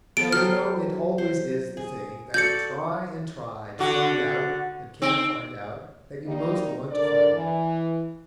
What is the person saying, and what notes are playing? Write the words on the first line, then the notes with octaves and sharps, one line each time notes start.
Now you know it always is the thing that you try and try to find out and can't find out that you most want to find out.
B3 A4 D7
F#3 C5 G5 F6
C5
G#4
F#4 A4 D5 G6 C#7
D3 F#4
C4 D#4 E6 D7
D#3 G3 A#3 D#4
D3 A#4 D5
E3